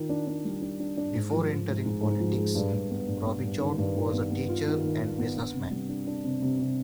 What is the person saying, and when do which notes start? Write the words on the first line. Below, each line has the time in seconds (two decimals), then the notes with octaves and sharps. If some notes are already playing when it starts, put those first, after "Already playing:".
Before entering politics, Robichaud was a teacher and businessman.
Already playing: D#3 F4
0.09 D4
0.27 D4
0.45 G3
0.62 D4
0.80 D4
0.97 D4
1.14 G#2
1.32 F3
1.50 G#2
1.68 G#2
1.86 G#2
2.03 G#2
2.20 F3
2.38 G#3
2.55 G2
2.73 G2
2.90 B3
3.08 G2
3.26 B3
3.43 G2
3.60 D#3
3.78 G2
3.96 D#3
4.13 B3
4.31 B3
4.49 F4
4.66 D#3
4.84 D#3
5.01 D#3
5.18 B3
5.36 D4
5.54 C3
5.71 G3
5.89 D4
6.07 D4
6.24 C3
6.42 C3
6.60 C3